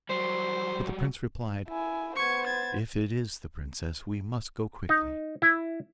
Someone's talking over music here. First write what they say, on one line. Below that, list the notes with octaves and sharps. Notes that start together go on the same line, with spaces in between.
But the prince replied, 'If it is the princess, we must go quickly.
F#3 G3 C5
E4 G#5
B3 C5 C#6 G#6
G#6 A6
D#4
E4